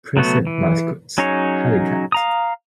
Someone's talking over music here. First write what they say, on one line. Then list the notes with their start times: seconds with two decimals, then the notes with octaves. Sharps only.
Present Mascots: Halicat.
0.17 F#3 A3 B3 F#4
0.47 E3
1.18 F#3 C#4 D#4 G#4 C#5
2.12 F5 A#5 D#6